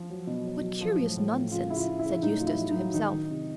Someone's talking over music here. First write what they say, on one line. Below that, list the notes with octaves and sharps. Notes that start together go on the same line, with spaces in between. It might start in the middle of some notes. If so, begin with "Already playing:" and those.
"What curious nonsense!" said Eustace to himself.
Already playing: F3
F#3
B2
F#3
F#3
F3
A2
A2
F3
C#3 F4
C#3 E4
F4
C#3
E4
C#3
A2 D#4
F#3 F4
E4
F#3
D#4
F#3
D#3 D#4
D#3
C3